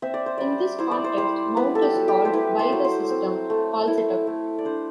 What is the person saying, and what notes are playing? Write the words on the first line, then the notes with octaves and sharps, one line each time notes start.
In this context mount is called by the system call setup.
C4 E5
D5
C5
G3 D5
E4 C5
D5
C5
G3 C5
B3 B4
A4
G4
F#3
G4
C5
E4 B4
C5
F#3
C5
C4
A3
E4
A3
D5
D4 C5